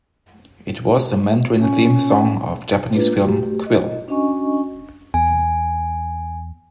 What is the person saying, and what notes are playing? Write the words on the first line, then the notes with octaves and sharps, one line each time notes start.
It was the Mandarin theme song of Japanese film, "Quill".
C#4
A#3 D4 F4 B4
A3 F#4 G4
D#5
C#4 D4 F#4 D#5 G#5 C#6
E2 G#5